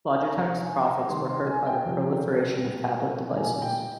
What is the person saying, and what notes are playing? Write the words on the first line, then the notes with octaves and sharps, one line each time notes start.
Logitech's profits were hurt by the proliferation of tablet devices.
G#5
C3 F3 A#5
G#5
A#5
C3 D#3 G3 C6
C6
G#5
G5
C3 F3
A#2 G3
A#2 G3 G#5
G5